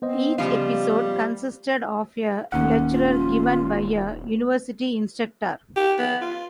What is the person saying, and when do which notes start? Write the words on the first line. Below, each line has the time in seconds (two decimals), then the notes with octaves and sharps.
Each episode consisted of a lecture given by a university instructor.
0.02 B3 C4 C5 D#5
0.38 C#3 F3 G3 F4
2.52 D#1 D#2 C#4 F#5
2.91 F4
5.76 G4
5.98 B3
6.21 F4